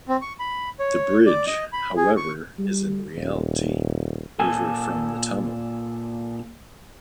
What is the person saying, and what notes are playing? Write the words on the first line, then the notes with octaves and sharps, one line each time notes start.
The bridge, however, is in reality over from the tunnel.
C4
C#6
B5
C#5
D5
D#5
B5
G#4
C#6
G3
D#1
A#2 A4 G#5